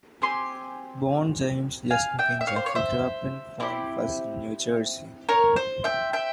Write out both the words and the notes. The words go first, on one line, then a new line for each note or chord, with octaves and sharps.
Born James Justin Pinchak, he grew up in Point Pleasant, New Jersey.
C4 G4 G#5 C6
F5 G#5
E5 G5
E5
C#5 F5
C5
C#5
C5 E5
C4 E4 G4
A#4 C#5
C5
E5 G5
E5 G5